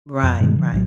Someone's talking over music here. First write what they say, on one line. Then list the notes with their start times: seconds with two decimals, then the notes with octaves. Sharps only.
Right, right.
0.23 F2
0.41 G2 B2 D#3 G#3
0.56 D3 F3
0.72 A#1 A2 F#3